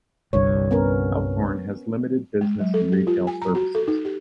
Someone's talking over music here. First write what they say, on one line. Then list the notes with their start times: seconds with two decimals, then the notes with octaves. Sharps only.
Elkhorn has limited business and retail services.
0.33 G1 C2 G2 C#5
0.71 B3 C#4 A#4
2.41 G#3
2.60 F#3
2.74 A4
2.92 G4
3.07 F4
3.27 G#5
3.42 A#5
3.55 F#4
3.75 A4
3.88 D#4
4.05 G4